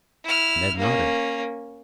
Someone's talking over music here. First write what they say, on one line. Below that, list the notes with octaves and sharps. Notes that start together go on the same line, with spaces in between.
Ned nodded.
E4 F6
A#3 C#4